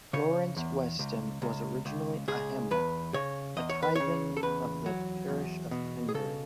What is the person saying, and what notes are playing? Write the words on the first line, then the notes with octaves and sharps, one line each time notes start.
Lawrence Weston was originally a hamlet, a tything of the parish of Henbury.
C#3 C#5
E2
C#2
C#2
C#2
C#2 G#4
E2 B4
C#3 C#5
E2 D#5
C#5
B4
C#3 C#5
A4
E2 B4
F#3
E2
B2
G#4
C#3 A4